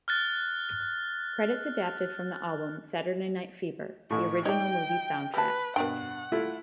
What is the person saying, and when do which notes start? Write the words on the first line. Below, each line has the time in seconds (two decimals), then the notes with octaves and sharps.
Credits adapted from the album "Saturday Night Fever: The Original Movie Sound Track".
0.08 F6 F#6 A6
4.10 A1 A2 C#6
4.46 D#4 C#5 D5 G5
5.34 G4 B4 A5
5.76 G2 B2 A#4 C5 F#5 G5
6.32 A3 E4 F4